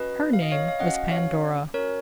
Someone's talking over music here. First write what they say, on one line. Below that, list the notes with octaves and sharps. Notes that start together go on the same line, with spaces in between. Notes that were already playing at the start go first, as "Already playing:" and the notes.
Her name was Pandora.
Already playing: C#4 F#4 B4 D#5
F5
D#5
C#5 F5
F5
C#4 F#4 D#5 F#5
C#5 F5
C#4 F#4 A#4 C#5